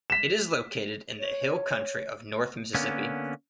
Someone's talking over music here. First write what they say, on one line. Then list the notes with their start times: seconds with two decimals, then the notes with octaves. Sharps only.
It is located in the hill country of north Mississippi.
0.10 B6 E7
1.19 C#5
2.74 D3 A#3 B3 C#4